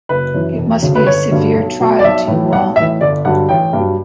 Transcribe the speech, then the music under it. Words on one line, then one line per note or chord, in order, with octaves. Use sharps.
It must be a severe trial to you all.
F#1 B4
F#2 E3
E1
D2 C#3 F#3
B4
G1 C#5
G2 D3 F#3
B1
B2 F#3
D5
B1 E5
A2 E3
B1 F#5
A2 E3 E5
G1 D5
G2 D3 F#3 F#5
A1 G5
G2
F#3